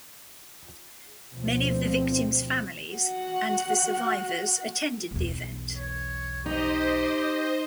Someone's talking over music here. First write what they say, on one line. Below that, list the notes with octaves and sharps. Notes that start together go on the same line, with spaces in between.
Many of the victims' families and the survivors attended the event.
D2 B2 F3 C4
F#4 F#5
B1 E2
C#5
D#4 G4 C5 D#5